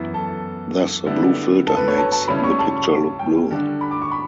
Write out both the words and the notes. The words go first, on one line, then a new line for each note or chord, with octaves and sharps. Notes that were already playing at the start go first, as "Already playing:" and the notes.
Thus a blue filter makes the picture look blue.
Already playing: F#2 E3 B3 E4
A4
D3 G3 B3 E4
A4
B4
C#5
A5
A5
C#3 G3 C#4 E4 B5
C#6
A5
G5
D3 G3 D4
B5
D6
C#6
B5